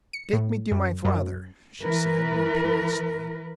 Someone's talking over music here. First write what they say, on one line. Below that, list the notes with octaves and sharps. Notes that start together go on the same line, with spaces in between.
"Take me to my father," she said, imperiously.
C#7
A2
F#2
F#2
E3 A#4 B4